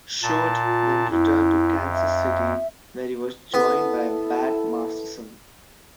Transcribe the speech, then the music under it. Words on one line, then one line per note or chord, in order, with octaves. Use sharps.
Short then returned to Kansas City where he was joined by Bat Masterson.
A#2 A5
F4
F2 E4
E5
B3 E4 A4